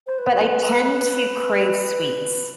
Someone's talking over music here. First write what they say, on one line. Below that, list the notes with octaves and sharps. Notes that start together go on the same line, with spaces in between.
but I tend to crave sweets.
C5
B4